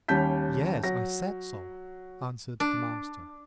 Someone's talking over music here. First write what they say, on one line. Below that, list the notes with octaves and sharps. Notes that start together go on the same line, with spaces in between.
Yes, I said so, answered the Master.
D#2 G3 C#4 A5 G6 B6
F#3 A#6
D4